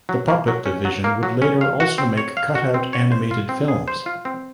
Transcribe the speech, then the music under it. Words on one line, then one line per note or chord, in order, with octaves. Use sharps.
The puppet division would later also make cutout-animated films.
F#3
A#3
F#3
C#4
F#3
A#3
F#3
C#4
F5
F#4
C4
C#5
F5
F#4
C4
C#5
C5
F4
C4
G#4
C5
F4
C4